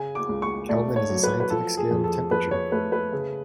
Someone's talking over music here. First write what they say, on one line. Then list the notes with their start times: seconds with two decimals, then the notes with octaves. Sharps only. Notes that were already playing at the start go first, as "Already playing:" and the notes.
Kelvin is a scientific scale of temperature.
Already playing: C#3 G#5
0.15 D6
0.29 C#2
0.42 C#6
0.69 A3 D5
0.96 C#5
1.10 F#3
1.23 B4
1.40 B4
1.50 F3 A4
1.77 G#4
1.91 F2
2.04 A4
2.31 F2 B4
2.51 C#5
2.72 A3 B4
2.92 B4
3.12 C#3